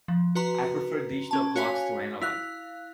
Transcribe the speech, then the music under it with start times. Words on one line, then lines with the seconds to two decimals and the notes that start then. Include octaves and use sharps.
I prefer digital clocks to analog.
0.08 F3
0.35 F#4 B4 A#5 C6
1.31 C#4 A5
1.56 F#4 C#5 F5 G#5 B6
2.21 E4 F5 F#6